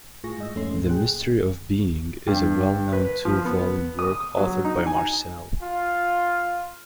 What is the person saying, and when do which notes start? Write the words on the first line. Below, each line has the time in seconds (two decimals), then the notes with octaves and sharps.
"The Mystery of Being" is a well-known two-volume work authored by Marcel.
0.24 A2 F4 G#4 C#6 A#6
0.38 G#2 D#5 E6
0.55 F2 A3 C#4 C6
0.76 B1 A#2
0.89 G#4 G5 F#6
2.27 G2
2.93 B4
3.25 F3
3.45 B3
3.99 D#6
4.37 F#3
4.65 D#4
4.87 G#5
5.62 F4